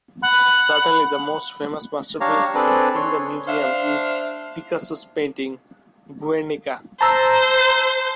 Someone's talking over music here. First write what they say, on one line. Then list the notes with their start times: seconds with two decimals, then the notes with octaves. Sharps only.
Certainly, the most famous masterpiece in the museum is Picasso's painting "Guernica".
0.22 F#5 B5
2.21 D4 G4 C#5 F5 A#5
2.55 C4 D4 G#4 A4 B4 D5
2.95 C#5 C6
3.47 D4 C5 E5 F5
7.01 C5 A5 A#5 E6